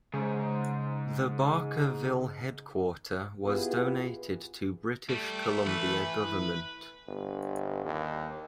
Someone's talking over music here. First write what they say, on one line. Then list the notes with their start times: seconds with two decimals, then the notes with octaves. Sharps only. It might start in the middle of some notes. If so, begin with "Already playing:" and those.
The Barkerville headquarter was donated to British Columbia government.
0.14 G#2 C#3
3.44 B3 E4 F4 G4 G#4 B4
5.09 G3 A3
5.67 E3 B4
7.08 G1
7.85 D#2